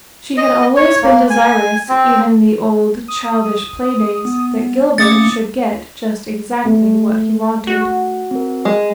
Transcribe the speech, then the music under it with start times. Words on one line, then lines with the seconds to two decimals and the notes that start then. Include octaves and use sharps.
She had always been desirous, even in the old, childish play-days, that Gilbert should get just exactly what he wanted.
0.37 D#5
0.77 C#5
1.03 A#3
1.30 G#5
1.89 C4
3.08 D#6
4.25 B3
4.98 A3 A#3 C#4 D6 D#6 A6 C#7
6.65 A3
7.67 F#4
8.31 C4 A#4
8.65 G#3 G#5